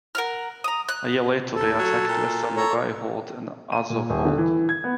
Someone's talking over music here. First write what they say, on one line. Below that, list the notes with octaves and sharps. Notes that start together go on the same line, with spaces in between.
A year later they attacked Lesser Nogai Horde and Azov Horde.
A#4 F#5 F6
A#5 D#6
F#6
D#2 A4
F#3
A#2
A4 C#5 A#5
D#7
A#2
D#1
D3
E3
G#6
B3